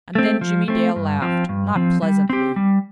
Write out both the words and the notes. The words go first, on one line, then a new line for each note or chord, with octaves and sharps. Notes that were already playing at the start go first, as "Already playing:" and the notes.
And then Jimmie Dale laughed--not pleasantly.
A3 C4
F3
A3 C4
G2
F3 C4
G2
F3 C4
G3
C4 G4
G3